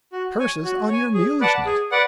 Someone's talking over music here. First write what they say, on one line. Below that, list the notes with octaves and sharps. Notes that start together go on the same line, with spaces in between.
"Curses on your mulishness!"
F#4
C#5 G#5
F#4
C#5 G#5
G#4
B4 D5 F#5 A5
G#4
B4 D5 F#5